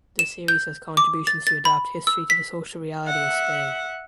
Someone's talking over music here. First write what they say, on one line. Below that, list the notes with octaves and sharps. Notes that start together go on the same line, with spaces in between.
The series has contributions to adapt history to the social reality of Spain.
E7
G6
D6
A6
A6
B5
E6
B6
E5 F#5